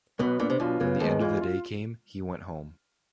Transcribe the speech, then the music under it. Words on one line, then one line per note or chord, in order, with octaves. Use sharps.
When the end of the day came, he went home.
B1 B2 B3
A#2 D4
C3
B1 B2 F4
C#2 C#3 B3
D#2 D#3 G#3
E2 E3 F4
F4